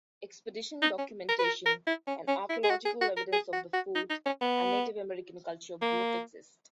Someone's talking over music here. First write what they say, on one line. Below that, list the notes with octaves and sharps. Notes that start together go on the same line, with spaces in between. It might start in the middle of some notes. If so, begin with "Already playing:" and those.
Expedition documentation and archaeological evidence of the fort and Native American culture both exist.
D#4
C#4
A#4
B4
A#4
A#4
E4
C#4
C#4
E4
G#4
F#4
G#4
F#4
A#4
G#4
F#4
F#4
D#4
D#4
C#4
B3
A#3